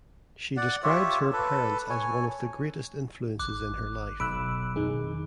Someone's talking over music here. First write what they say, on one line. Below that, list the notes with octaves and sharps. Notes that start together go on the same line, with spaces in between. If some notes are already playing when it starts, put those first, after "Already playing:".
She describes her parents as one of the greatest influences in her life.
D5 F#5
F4 G4 C#5 E5
A4 B4
C#5 G#5
G#1 D6 F#6
F1 B1 B5 E6 F#6 D7
F2 D#3 D#4 G#4